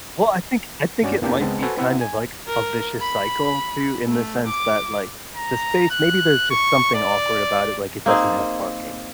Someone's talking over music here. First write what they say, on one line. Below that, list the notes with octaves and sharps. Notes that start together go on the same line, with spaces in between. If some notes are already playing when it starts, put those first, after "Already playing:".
Well, I think I think it might be kind of, like, a vicious cycle too, in the sense that, like, the space maybe there's just something awkward about it, like it doesn't have parking.
G2 C#4 F#4 D5
E2 E3 A#3 D4 G4 A5
C#2 G#3 B3 C4 A5
F#4 A4 B4 C5 G#5
B3 C4 E4 E5 F#5
G#5
A#4
B5
A3
D6
A#5
F#6
C#6
D5
A#3 C4 D#4 G#4